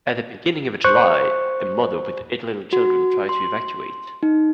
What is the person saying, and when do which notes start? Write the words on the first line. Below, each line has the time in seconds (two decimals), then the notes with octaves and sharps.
At the beginning of July, a mother, with eight little children, tried to evacuate.
0.84 C5 C#6 F#6
2.73 F#4
3.29 C6
4.23 D#4